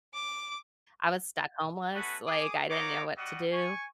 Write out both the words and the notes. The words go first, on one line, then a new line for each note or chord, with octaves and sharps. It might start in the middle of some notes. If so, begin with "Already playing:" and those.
I was stuck homeless, like, I didn't know what to do.
D6
A3 B3 C#4 F#4 B4
G#4 D6 D#6
B3 D#4 F4 C#5 A#5 D6
G3 F#4 D#5 F#5
G#5 C#6